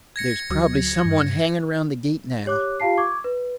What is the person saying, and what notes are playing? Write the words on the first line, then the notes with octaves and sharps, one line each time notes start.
There's probably some one hanging around the gate now.
G#6 A#6 C#7
D2 F#3
G2
G4 C#5 D6 F#6
F4 G4 F5 A5 C7
C#6 D6 G#6
B4